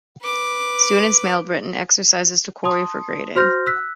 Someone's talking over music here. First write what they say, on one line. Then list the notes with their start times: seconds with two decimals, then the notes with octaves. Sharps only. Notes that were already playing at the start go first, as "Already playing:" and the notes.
Students mailed written exercises to Cory for grading.
0.22 B4 D6
2.64 A5 C6 D#6
3.36 F#4 C5 C6 F6 G6 A#6
3.66 E6 F#6 B6